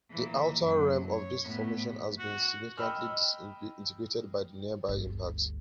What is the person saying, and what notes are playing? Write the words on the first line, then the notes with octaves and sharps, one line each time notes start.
The outer rim of this formation has been significantly disintegrated by the nearby impacts.
A#2 E3
F#2
C#5
A2 B3
F#4
D#5 G5 B5 E6 F6
G1 D2